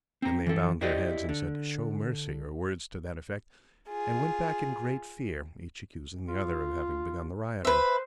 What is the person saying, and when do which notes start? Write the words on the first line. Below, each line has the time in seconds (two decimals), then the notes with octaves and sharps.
Then they bowed their heads and said: "Show mercy!" or words to that effect, and went back in great fear; each accusing the other of having begun the rioting.
0.22 C4 A#5
0.46 E3 A4
0.81 E4 F#4 G4 C5 D5 D#5
1.29 D3
3.88 F4 G#4
6.28 F4
7.65 B4 C5 E5